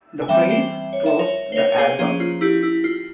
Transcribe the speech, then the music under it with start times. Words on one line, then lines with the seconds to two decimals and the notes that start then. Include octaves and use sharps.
The phrase closed the album.
0.22 G#5
0.28 E3 G3 C4 E5 G5
0.49 C5 E5
0.93 C#5
1.06 E5
1.19 A#4 C#5
1.52 C5
1.56 A#4 C#5
1.72 C#5
1.78 G#4 C5
1.99 F3 A#3 C#4 G#4 C5
2.20 F4
2.41 E4 G4
2.63 E4
2.84 F4